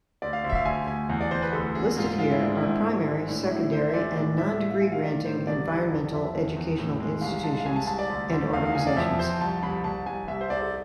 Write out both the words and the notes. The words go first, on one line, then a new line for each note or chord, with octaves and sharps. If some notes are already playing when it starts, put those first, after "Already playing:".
Listed here are primary, secondary, and non-degree granting environmental education institutions and organizations.
D2 D5
F5
D2
E5
F5
D2 G#5
D2 G#5
E2
D5
E2 C5
B4
D2 A4
D2 G#4
G#2 F4
G#3 F4
E4
G#2 D4
E4
G#2
G#2
G#3
A2 D4
A2 E4
D2 C5
E5
G#3 D5
A2 D5
A2 E5
A2 E5
F5
G#3 G#5
F5
A2 D5
A2 C5
C2 D5
C2 B4
F2 D5
F2 E5
E2
E2
A2
G#3
C2 F5
G#3 A5
F5
C2 G#5
A5
C2 A5
D5
D2
D2
E2 F5
F5
E2 G#5
D5
F2 E5
F2 C5
C2 A5
C2 B5
C2 A5
C2 G#5
C2 E5
C5
C2 D5
A4